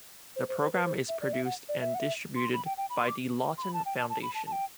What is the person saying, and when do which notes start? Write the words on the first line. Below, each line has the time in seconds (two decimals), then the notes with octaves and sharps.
The program is produced and distributed by the Lawton Foundation.
0.36 C5
0.49 C5
0.60 C5
0.73 B4
0.84 C5
1.09 E5
1.21 D5
1.33 E5
1.45 F#5
1.69 D5
1.81 E5
1.95 F#5
1.99 E5
2.36 C6
2.54 B5
2.66 G5
2.77 G5
2.90 B5
2.99 C6
3.08 D6
3.58 C6
3.62 B5
3.74 A5
3.86 G5
3.98 A5
4.10 A5
4.23 B5
4.35 A5
4.47 A5
4.52 G5